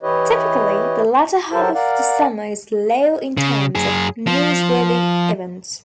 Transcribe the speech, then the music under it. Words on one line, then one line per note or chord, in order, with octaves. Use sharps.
Typically, the latter half of the summer is slow in terms of newsworthy events.
E3 E4 G4 B4 C#5 D#5
F#3 G4 A4 A#4 C5 A5
A#4 D5 F5 F#5
C#3
F#2 G#4
F3